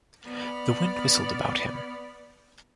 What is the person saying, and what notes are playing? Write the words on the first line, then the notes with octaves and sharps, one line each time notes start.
The wind whistled about him.
B3 D5 B5 F6